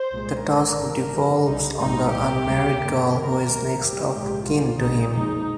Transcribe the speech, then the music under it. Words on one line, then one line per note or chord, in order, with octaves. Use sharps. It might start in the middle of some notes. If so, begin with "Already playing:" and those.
The task devolves on the unmarried girl who is next of kin to him.
Already playing: C5
C2 A#2 G#3
G#1 G#2 D#3 G#3 A#4
G1 G2 D3
G1 F2 D#3 G3 A#3
C2 C3 D#3 G3 D#4
A#1 G#2 G3 A#3 D#4
C2 A#2 G3 A#3 G4
D2 C3 G3 A#3
G2 D#3 A#3
D#2 D#3 A#3 A#4
C2 A#2 G3 A#3
G1 F2 D#3 G3 A#3 G4
A#1 G#2 F3 G#3 G4
C2 C3 D#3 G3 A#3 F4
A#1 A#2 G#3 D#4
F2 D#3 G#3 D#4